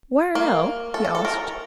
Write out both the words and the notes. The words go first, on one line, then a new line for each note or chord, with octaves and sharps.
"Where now?" he asked.
A#3
A4
A4
A4
A#4